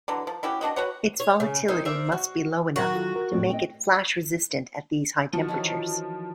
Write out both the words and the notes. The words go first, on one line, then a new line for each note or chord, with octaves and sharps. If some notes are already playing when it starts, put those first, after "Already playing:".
Its volatility must be low enough to make it flash-resistant at these high temperatures.
D3 E3 F#3
F3
C#4 E4 F#4 G4
C4 D4 F#4 D#5
F#4 B4 C#5 F#5
C#5
C#3
A#3 C4 D#4
A#4 C5 D5 E5
F#4
D#3 F#3 F#4 A#4 A#5
F4 A4
A#4
F2 A2 A3 C4 D5
D#5 G5
F3 F#4
D#3 E3 F#3